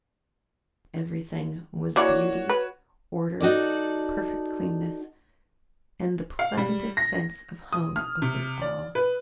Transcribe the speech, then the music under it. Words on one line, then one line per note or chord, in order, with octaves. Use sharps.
Everything was beauty, order, perfect cleanness, and the pleasantest sense of home over it all.
E3 A#3 F#4 C#5 D5
B4
D#4 F#4 A4 D5
F5
G3
A#6
D#6
F6
C3
D5
B4